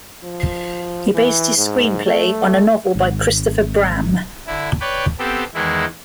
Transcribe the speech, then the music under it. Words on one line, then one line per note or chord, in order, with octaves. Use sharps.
He based his screenplay on a novel by Christopher Bram.
F3
E3
G#2
A3
G#1
D3 E4
B4 C#5 D5 G5
B3 C4 G4 A4
E2 D#3 E3 G#3 E4